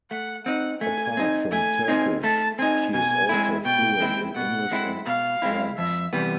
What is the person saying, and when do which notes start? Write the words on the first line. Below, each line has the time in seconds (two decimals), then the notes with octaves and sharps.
Apart from Turkish, she is also fluent in English and French.
0.11 A3 F#5
0.46 C4 D#4 F#5
0.81 A3 G#5
1.17 C4 D#4
1.52 A3 G#5
1.88 C4 D#4
2.23 A3 A5
2.59 C4 D#4 G#5
2.94 B2 G#5
3.29 G#3 C4 E4
3.65 B2 G5
4.00 G#3 C4 E4
4.35 B2 F#5
4.71 G#3 C4 E4
5.06 B2 F5
5.42 G#3 C4 E4
5.78 F2 E5
6.13 C3 E3 G3 B3